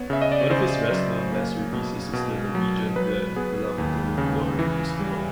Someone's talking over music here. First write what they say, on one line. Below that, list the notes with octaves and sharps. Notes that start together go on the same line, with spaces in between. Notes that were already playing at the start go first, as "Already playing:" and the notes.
One of his best-known masterpieces is the Norwegian glen belonging to Lord Listowel.
Already playing: B3 C#5
C#3 E5
D#5
D5
C#5
C#3 C5
F#3
A#3
B2
B2
F#3
F#3 B4
B3 G#4
D#2
C#3
E3
G3